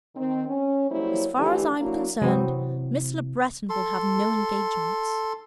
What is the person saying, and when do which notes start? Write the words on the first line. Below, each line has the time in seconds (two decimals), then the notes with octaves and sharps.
"As far as I am concerned, Miss Le Breton will have no engagements."
0.15 D#3 C4
0.46 C#4
0.90 F#3 G3 A#3 E4 C5 C#5
1.36 D3 E3 F3 A3 G4
1.80 F#3 A#3 D4 E4 F#4
2.22 C3 E3 F#3 B3 C4
3.69 A4 C6